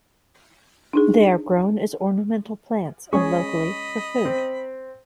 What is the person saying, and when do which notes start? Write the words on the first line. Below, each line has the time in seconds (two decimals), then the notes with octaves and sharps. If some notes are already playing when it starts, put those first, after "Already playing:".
They are grown as ornamental plants and, locally, for food.
0.93 D4 D#4 G#4
3.13 G#3 C#4 G#4 D#5 B5 C#6
4.25 C4